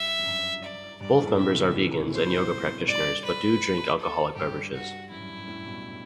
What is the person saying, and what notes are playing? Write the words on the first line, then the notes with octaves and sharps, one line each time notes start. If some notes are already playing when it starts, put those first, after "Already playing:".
Both members are vegans and yoga practitioners, but do drink alcoholic beverages.
Already playing: G2 E5
F#2
G2
D5
G2 D5
F#2 A2
A2 C3 E5
B2 D3
C3 E3
A2 C3
C5
G2 B2
G2 D5
B4
A4
G2 G4
F#4
F#2 E4
G2
F#2
G2
F#2 A2
G2 B2